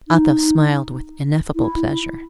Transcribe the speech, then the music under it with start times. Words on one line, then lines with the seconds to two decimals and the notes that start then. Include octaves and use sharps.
Athos smiled with ineffable pleasure.
0.08 D#4
1.56 E4